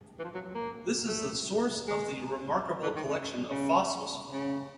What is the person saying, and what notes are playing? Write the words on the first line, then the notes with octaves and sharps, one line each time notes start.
This is the source of the remarkable collection of fossils.
E3
F3
F#3
F#3
A#3
A3
G#3
E3
D#3
C#3
C#3
C#3